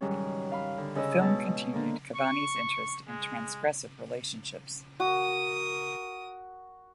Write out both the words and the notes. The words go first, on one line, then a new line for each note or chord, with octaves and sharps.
The film continued Cavani's interest in transgressive relationships.
G#2 D#3 F#3 G3 C#4
F5 B5
D3
C#3 D#5 E6
B2 G#3 A5
D3 A#3 D4
C#6
G#3
F#4 A#4 D#6